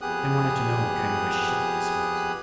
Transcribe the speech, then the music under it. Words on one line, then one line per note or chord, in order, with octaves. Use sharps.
They wanted to know what kind of a ship this was.
F2 B3 G4 G#4 D#6 F#6